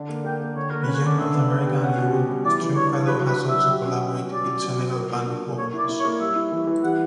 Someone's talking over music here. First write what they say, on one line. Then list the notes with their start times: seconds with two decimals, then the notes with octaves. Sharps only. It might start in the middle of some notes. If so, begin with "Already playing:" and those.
Beyond North America and Europe, Stringfellow has also collaborated with Senegal band Waflash.
Already playing: D3 D4
0.09 A#3
0.24 A#3 G5
0.41 A#3
0.56 D3 C#5
0.70 A#3 A#4
0.82 B4
0.88 C#4
0.95 C#5
1.04 D3 D5
1.18 D4 E5
1.35 B3
1.50 B3
1.66 G4
1.82 C#4 F#5
1.98 B2
2.13 G4
2.29 G3
2.45 E3 D5
2.61 E3
2.76 D4 C#5
2.92 D4
3.07 F#3 B4
3.23 F#4
3.28 B4
3.39 F#3
3.49 E5
3.54 F#3
3.70 G4
3.86 C#4
4.01 G4
4.17 C#4
4.32 F#3 D5
4.48 F#3
4.64 F#3
4.79 F#3
4.95 A#4
5.10 A#2
5.26 D4
5.42 D4
5.58 A#3 C#5
5.73 E4 D5
5.89 E4
5.99 C#5
6.04 A#3
6.20 G3 E5
6.36 E4
6.52 E3
6.67 E3
6.83 G3 F#5